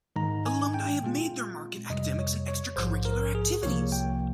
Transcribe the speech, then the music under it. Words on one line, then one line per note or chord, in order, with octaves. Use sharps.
Alumni have made their mark in academics and extra curricular activities.
G#2 D#3 G#3 D#4 A#5
G#5
G5
A#2 G#3 C4 F4
F2 C3 G3 D#5
C#5
C#5
A#1 G#2 F3 C5
A#4
G#4
C2 C3 F3 A#3 C#5
G5